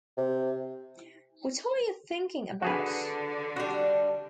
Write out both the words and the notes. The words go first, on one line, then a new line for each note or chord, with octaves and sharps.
What are you thinking about?
C3
D3 F#4 G#4 B4
G3 D4 F#4